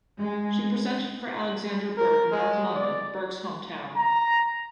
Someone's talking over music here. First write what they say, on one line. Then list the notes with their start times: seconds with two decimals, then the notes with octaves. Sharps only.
She presented for Alexandra Burke in North London, Burke's home town.
0.18 G#3
1.97 A#4
2.32 G#3
2.74 D5
3.96 A#5